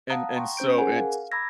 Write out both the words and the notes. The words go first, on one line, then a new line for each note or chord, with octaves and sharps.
and and so it's
F5 F#5 A5 A#5 D#6 F#6
G5 A#5 C6 C#6
C#4 C5 G6 D7
G#4 A#4 F#5 G#5
F5
A#5 B5 D6 E6 G#6 A#6